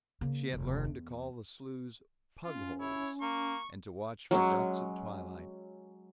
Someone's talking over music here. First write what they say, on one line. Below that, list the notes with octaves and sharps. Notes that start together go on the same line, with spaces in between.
She had learned to call the slews "pugholes," and to watch for ducks at twilight.
C#3 A#3
F1 D#2
E2
C#4 F4
E4 C#5
A#3 C#6
F#3 G#3 C#4